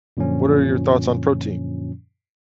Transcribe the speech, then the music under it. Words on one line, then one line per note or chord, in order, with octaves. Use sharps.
What are your thoughts on protein?
F#2 A#2 D3 F3 C#4